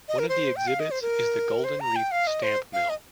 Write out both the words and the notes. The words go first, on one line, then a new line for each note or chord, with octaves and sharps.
One of the exhibits is the Golden Reef Stamp Mill.
D#5
A#4
C5
G5
F5
D#5
C5
A#4
C5
A#5
G5
F5
D#5
C5
F5
D#5